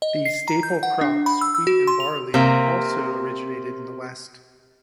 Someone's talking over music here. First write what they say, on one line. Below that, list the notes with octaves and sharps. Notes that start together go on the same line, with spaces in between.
The staple crops, wheat and barley, also originated in the west.
D#5
C7
A#5
G6
F#5
D4
B5
E6
E6
F#4
C6
F7
C3 A#3